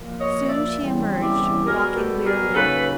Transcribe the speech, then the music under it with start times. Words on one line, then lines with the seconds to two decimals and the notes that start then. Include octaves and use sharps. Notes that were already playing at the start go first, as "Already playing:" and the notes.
Soon she emerged, walking wearily.
Already playing: A#2 F3 A#3
0.19 C#5 D#5
0.48 D5 E5
0.78 E2 C#3 E3 G3 C4
1.22 D5 E5
1.66 B2 G3 B3 G#4 A#4
1.95 G4 A4
2.25 G#4 A#4
2.54 C#3 F#3 A#3 D#4 A4 B4